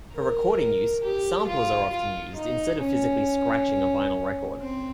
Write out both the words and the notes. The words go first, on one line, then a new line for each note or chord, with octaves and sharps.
For recording use, samplers are often used instead of physically scratching a vinyl record.
A#4
G4
F4
F4
D#4
C#4
C4